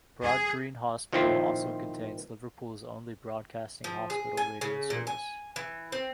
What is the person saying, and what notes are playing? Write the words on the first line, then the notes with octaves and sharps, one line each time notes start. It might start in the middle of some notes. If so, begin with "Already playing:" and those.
Broadgreen Hospital also contains Liverpool's only broadcasting hospital radio service.
G#4
A#2 D#3 F3 C4 E4 F4
F3
G#4
G#5
C#3
A#2
G#5
E3
C4